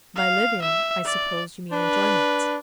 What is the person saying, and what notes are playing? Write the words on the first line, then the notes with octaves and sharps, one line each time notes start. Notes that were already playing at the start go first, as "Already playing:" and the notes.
'By living, I suppose you mean enjoyment.'
F5
E5
D5
D4 B4